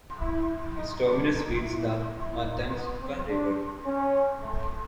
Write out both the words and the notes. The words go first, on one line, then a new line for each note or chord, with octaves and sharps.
Its terminus feeds the Matanuska River.
E4
E4
D#4
D4
D#4
E4
E4
D#4
B3
C4
D4
C#4
A3